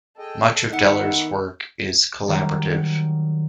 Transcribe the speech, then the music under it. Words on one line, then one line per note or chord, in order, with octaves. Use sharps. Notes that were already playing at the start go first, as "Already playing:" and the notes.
Much of Deller's work is collaborative.
G#4 A4 D#5 G5
D#3 B3 D#4 D#5 E5 F#5 C#7
D#3 F#3 G3